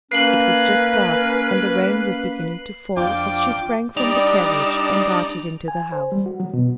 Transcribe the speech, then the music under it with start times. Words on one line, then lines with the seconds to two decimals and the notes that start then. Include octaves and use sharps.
It was just dark, and the rain was beginning to fall as she sprang from the carriage and darted into the house.
0.12 A#3 C#4 B4 C7 F#7
2.97 F2 D4 F4 G5 D6
3.97 G3 D4 D#4 D5 F7
5.68 G#5
5.92 C5
6.12 G3
6.26 F#4
6.40 F#3
6.54 B2